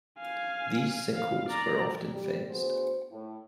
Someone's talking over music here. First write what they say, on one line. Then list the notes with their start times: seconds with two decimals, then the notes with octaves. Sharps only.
These sinkholes were often fenced.
0.19 F5 G#5
1.15 F5
1.49 D5 A#5
2.12 G3
2.49 D2 B3 F#4 G#4 C5
3.11 A2